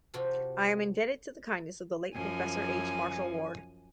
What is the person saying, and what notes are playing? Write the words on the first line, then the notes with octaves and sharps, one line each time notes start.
I am indebted to the kindness of the late Professor H. Marshall Ward.
C3 C4 F4 F#4 A4
F#2 F3 G#5